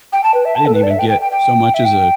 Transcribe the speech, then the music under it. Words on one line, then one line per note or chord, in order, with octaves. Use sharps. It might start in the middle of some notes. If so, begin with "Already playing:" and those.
I didn't even get so much as a,
G5
A5
B4
E5
A5
A4
B4
D5
E5
G5
G5
G5
G5
E5
G5